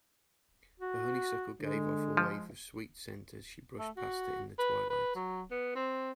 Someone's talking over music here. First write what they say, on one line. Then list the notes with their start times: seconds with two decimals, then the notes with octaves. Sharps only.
The honeysuckle gave off a wave of sweet scent as she brushed past it in the twilight.
0.80 F#4
1.60 D3 G#3
2.17 F3
3.78 A3
3.96 F#4
4.59 B4
4.90 B4
5.15 F#3
5.51 B3
5.76 C4